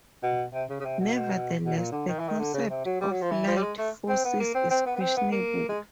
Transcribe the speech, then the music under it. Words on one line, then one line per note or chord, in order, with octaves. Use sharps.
Nevertheless, the concept of "light" forces is questionable.
B2
C3
C#3
C#3
C3
B2
B2
A#2
D3
D#3
E3
D#3
D3
C#3
C3
F#3
G3
F#3
F3
E3
F3
G3
G#3
A3
C4
B3
A#3
C4
C4
B3
B3
C4
B3
A#3
G#3